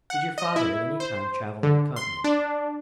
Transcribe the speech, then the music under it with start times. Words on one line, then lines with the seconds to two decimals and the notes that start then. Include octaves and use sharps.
"Did your father, at any time, travel on the continent?"
0.10 F#5
0.38 D#5
0.56 E4
1.00 C5
1.63 D3
1.96 C6
2.24 D4